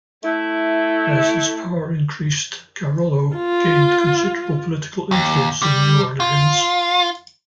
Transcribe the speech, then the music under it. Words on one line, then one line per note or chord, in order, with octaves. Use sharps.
As his power increased, Carollo gained considerable political influence in New Orleans.
A3 E4
F4
D#2
G3
F4